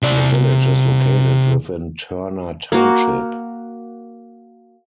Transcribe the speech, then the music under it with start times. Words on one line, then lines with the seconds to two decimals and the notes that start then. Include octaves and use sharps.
The village is located within Turner Township.
0.02 C3 D5
2.72 A#3 F#4